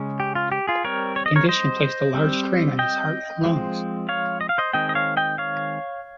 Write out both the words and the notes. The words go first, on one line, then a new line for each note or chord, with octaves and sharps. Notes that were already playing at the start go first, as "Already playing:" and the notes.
The condition placed a large strain on his heart and lungs.
Already playing: C#3 G#3 C#4
G4
F4
G4
F4 G#4
G3 C4 A#4 C#5
C#5
D#5
A#4 C#5
C5 D#5
G3 C4
D#5 G5
F3 G#3 C4
C#5 F5
D#5
F5
C5 D#5
D#3 G#3 C4 D#5 G5
D#5
C#5 F5
D#5 G5
C#5 F5